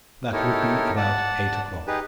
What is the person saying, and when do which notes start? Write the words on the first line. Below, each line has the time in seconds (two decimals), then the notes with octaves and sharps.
That would be about eight o'clock.
0.32 D#4 E4 G4 A4 A#4 C#5
0.96 D5 F#5 A5
1.87 D#4 G4 G#4 B4